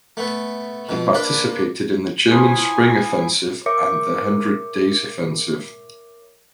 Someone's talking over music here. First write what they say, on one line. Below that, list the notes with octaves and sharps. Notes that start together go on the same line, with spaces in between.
He participated in the German spring offensive and the Hundred Days Offensive.
A3 B3
F2 B2
A#3 D4 B4 C5
E3 F3 G#5
A#4 C#5 E5 D6 C#7